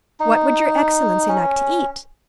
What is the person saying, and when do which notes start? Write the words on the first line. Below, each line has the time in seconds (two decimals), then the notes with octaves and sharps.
"What would your excellency like to eat?"
0.20 D#4
1.29 C#4